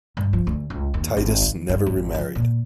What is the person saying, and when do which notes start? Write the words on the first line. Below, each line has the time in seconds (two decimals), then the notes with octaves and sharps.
Titus never remarried.
0.17 G2
0.33 F3
0.47 D2
0.70 C#2
0.94 D#2
1.17 G#1
1.42 D#3
1.69 G2
1.86 G#1
2.15 F3
2.35 A#2